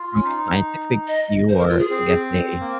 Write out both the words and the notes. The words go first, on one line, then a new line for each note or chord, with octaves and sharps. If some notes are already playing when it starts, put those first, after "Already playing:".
From a scientific view, or I guess a
Already playing: F4
C#4
D#4
D#5
C5
A#4
F4
G#4
C4
A#3